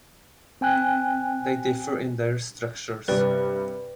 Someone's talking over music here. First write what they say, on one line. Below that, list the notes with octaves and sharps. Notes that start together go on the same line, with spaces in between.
They differ in their structures.
C4 G5 G#5 F#6
G2 C3 B4 D5 G5